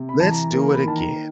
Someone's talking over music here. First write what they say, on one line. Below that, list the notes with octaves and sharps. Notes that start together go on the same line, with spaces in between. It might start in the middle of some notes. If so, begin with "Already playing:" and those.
"Let's do it again."
Already playing: C3
B5
E3 A5
A#5
A#3 A#5
B5
D#3 A5
A#5